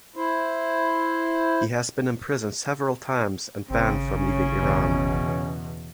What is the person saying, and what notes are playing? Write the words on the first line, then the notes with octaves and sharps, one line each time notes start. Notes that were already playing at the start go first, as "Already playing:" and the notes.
He has been imprisoned several times and banned from leaving Iran.
E4 C5
G#1 C#3 C4
C#4
E2 B2